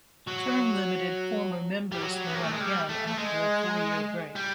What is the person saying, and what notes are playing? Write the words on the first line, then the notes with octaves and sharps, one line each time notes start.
Term-limited former members can run again after a four-year break.
F#3
G3
F#3
B3
A#3
A3
G#3
G3
A3
A3
G#3
G3